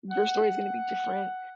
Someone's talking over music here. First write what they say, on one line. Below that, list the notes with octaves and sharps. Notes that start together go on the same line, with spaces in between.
Their story is gonna be different,
F#5